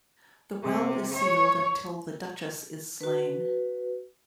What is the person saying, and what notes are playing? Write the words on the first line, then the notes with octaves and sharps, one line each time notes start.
The well is sealed until the Duchess is slain.
C3
C#5
F#4 B4